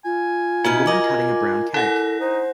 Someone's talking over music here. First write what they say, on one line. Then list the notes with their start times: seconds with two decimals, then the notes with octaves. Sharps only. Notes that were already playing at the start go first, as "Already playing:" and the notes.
A woman cutting a brown cake.
0.05 F4 G#5
0.64 B2 D#4 E4 F#4 F6
0.87 A#4 D#5 D6
1.74 E4 A4 F#5 A#6
2.20 D#4 C5